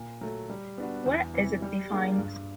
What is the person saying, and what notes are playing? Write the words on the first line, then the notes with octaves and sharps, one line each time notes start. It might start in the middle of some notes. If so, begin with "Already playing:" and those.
Where is it defined?
Already playing: A#2
F#3 A3
G3
B3 D4 F#4
E2
C3 E3
G3
A#3 D4 F4 G#4
G2